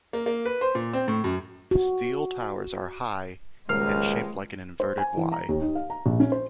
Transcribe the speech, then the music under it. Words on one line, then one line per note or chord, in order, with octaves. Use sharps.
The steel towers are high and shaped like an inverted Y.
A#3
A#3
B4
C5
A#2
C4
A2
F#2
F#4
D#1 C#2 G#3 A#4 F6 C7
C5
G#5
E3
A#5
D#2
D#4
F5
A#5
A#1
C#4
C5